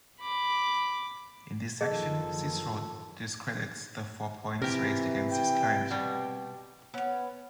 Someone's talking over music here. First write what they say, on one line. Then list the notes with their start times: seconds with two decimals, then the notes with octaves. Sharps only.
In this section, Cicero discredits the four points raised against his client.
0.20 B5 D6
1.81 F#1 D#3 F3 G#4 A4 D#5
4.62 C3 E3 G4 A#4
5.31 G5
5.91 B2 G3
6.94 B3 C#4